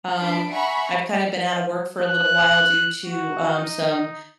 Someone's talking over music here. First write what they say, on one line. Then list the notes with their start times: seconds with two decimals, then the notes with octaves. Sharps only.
Um, I've kind of been out of work for a little while due to, um, some,
0.20 D4 B4 B5 C7 D7
0.50 E5 F#5 G#5 A#5 B5 C#6
2.00 F#6
3.05 F#4
3.55 D#4